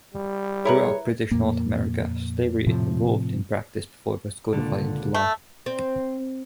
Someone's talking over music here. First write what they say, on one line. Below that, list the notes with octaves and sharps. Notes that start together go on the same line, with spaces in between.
Throughout British North America, slavery evolved in practice before it was codified into law.
G3
E4 G#4 A#4 B4 C#5
F2 A#2 A#3
A2 C3 F3
C#2 A#2 D3
A3
C4